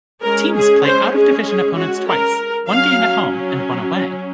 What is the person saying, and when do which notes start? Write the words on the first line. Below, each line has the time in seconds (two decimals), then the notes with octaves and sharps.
Teams play out-of-division opponents twice, one game at home and one away.
0.22 G#3 C#4 A#4
0.54 G#4
0.84 C5
1.15 G#4
1.45 G#4
1.76 F#4
2.07 A#4
2.68 F#3 C#4 F5